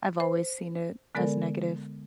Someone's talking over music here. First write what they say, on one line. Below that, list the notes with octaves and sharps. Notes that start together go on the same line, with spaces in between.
I've always seen it as negative,
C5
D3 G#3 B3 A4 A#4 D5